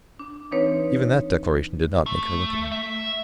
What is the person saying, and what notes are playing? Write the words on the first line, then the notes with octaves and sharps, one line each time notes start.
Even that declaration did not make her look at him.
D4
E3 C4 D#4 B4 C#5
A3
E5